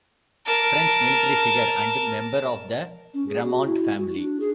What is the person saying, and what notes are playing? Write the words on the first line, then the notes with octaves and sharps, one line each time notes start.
French military figure and member of the Gramont family.
A#4 A5
C#4
G#4
F#4
E4
F#4
D4
G#4